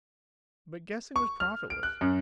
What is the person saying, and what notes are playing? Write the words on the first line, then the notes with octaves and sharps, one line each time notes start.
But guessing was profitless.
C#6
F6
D7
F#6
F#2